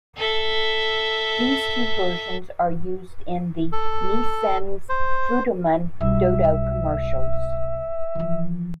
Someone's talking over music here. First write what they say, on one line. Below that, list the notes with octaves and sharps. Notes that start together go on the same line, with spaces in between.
These two versions are used in the Nissin's Futomen Dodo commercials.
A4 E5
A4
C5
B1 G3 E5
E3 F3